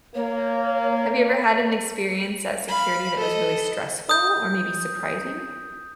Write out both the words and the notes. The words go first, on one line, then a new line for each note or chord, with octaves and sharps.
Have you ever had an experience at security that was really stressful or maybe surprising?
A#3 C#5
F5 B5
A4 D#5
D#6 G6